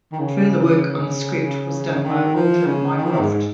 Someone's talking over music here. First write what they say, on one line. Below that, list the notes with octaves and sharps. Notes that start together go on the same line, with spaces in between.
Further work on the script was done by Walter Mycroft.
D#3
C#3
C#3
D#3
F3
C#3
D#3
F3
D#3
G#2